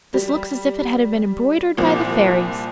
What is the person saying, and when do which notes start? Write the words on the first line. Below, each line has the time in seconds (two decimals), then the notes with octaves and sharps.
'This looks as if it had been embroidered by the fairies!
0.14 G3
1.77 C2 A#2 F3